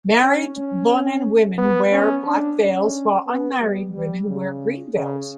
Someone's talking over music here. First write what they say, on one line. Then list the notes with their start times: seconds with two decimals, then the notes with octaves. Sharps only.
Married Bonan women wear black veils, while unmarried women wear green veils.
0.23 C#4
0.57 C#4
1.58 B3
1.92 C#4
2.26 D4
2.60 C#4
3.27 B3
3.61 G3
3.94 G3
4.29 C#3
4.96 C#3